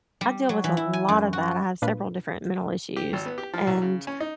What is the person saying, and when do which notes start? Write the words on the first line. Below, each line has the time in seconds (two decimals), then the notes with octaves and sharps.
I deal with a lot of that, I have several different mental issues, and
0.21 G3
0.49 F#3
0.64 E3
0.77 E4
0.93 G#5
1.08 F#2
1.33 F#4
1.82 A#2 D4 F4 B4
2.96 G4
3.13 G#1
3.26 B3
3.38 G4
3.53 F3
3.67 C2
3.82 C#3
4.07 C#4
4.20 D#4